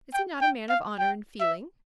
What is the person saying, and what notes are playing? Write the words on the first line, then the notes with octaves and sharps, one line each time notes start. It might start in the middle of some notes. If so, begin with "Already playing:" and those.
Is he not a man of honour and feeling?
G5
G5
F5
G5
E5